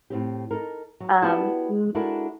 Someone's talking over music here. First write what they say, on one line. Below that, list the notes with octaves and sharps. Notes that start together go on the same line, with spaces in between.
um, m
A2 C4 G4
D#4 A4 A#4
F#3
B3 E4 F#4 G4 D5 A5
G#3 D4 E4 F#4 A4 A#4